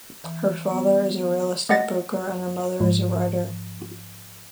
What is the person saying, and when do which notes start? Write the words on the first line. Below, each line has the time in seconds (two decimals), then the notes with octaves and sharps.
Her father is a real estate broker and her mother is a writer.
0.24 E3
0.71 B3
1.69 A3 D#5 F#5 A6 A#6
2.80 G#2 F3